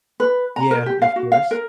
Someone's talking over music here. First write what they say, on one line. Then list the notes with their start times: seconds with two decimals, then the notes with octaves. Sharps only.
Yeah. Yeah, of course.
0.20 B4
0.56 A#5
0.71 A#4
0.86 G4
1.02 F5
1.16 F#4
1.32 F5
1.51 A#4